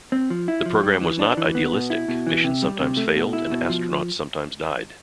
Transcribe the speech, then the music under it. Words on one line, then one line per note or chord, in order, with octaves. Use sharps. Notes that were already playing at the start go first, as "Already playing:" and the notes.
The program was not idealistic; missions sometimes failed and astronauts sometimes died.
C4
F3
E4
F3
G3
E3
D4
E3
B3
B2
E4
B2
E3
C3
G3
C3
A3
B2
E4
B2
F3